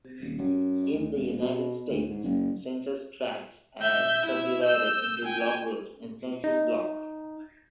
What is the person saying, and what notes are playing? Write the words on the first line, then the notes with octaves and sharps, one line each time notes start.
In the United States, census tracts are subdivided into block groups and census blocks.
D#1
F#2
D2
E1
B2
D2
G#2
F#1
E5 G6
E4 E5
E6 G6
G5 G#5
D#4